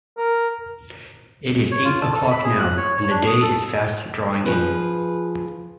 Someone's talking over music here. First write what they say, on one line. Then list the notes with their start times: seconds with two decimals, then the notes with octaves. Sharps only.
It is eight o'clock now, and the day is fast drawing in.
0.17 A#4
1.71 C#5
1.85 F4
2.02 A5
2.15 A4
2.31 B5
2.44 G#4
2.59 F#6
2.77 C#5
2.98 C#5
3.11 D4
3.27 D#6
3.42 A4
4.45 F3 G#4 B4